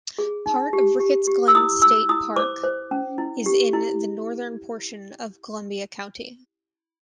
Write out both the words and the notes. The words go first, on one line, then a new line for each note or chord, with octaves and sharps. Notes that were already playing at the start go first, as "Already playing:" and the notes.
Part of Ricketts Glen State Park is in the northern portion of Columbia County.
G#4
D#4
G4
G4
G4
E6
E4 D#6
E4 E6
E4 D#6
C5 D6
C5
C#4
E4
G4
E4